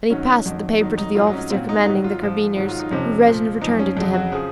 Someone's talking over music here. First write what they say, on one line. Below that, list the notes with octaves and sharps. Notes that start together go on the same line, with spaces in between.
And he passed the paper to the officer commanding the carbineers, who read and returned it to him.
G#2 D#3 F#3 C#4
F2 D#3 F#3
F2 D#3 F#3 D#4
D#4
G#2 F#3 F4
D#4
C#4
A#2 F#3 C4
D#4
G#2 D#3 F#3 D#4
F4
G#2 F3
G#2 D#3 F#3
F4
D#4
F2 C3 F3 C#4
A#2 F3
F#2 F3 D#4
C#4
F2 C#3 F#3
F#4
C#3 F3 G#4